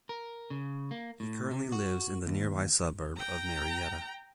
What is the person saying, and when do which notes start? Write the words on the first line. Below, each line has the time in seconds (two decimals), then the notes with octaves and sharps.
He currently lives in the nearby suburb of Marietta.
0.09 A#4
0.50 C#3
0.91 A#3
1.20 A2
1.51 C3
1.72 F#4
2.26 D#2
3.16 G5 A#5